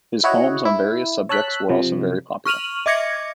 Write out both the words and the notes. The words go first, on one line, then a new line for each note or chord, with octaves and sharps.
His poems on various subjects were also very popular.
E4 F#4 C#5 D#5 F#5
E4
C#5 A5 E6 F#6 B6
C3 F3
C#6 F6 D#7 F7 F#7
D#5 E5 D6 G#6 A#6 C#7